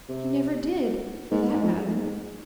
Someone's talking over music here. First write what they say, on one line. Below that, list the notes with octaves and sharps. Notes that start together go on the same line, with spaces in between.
He never did, for that matter.
C3
G#2
G#2
F2
F2
G#2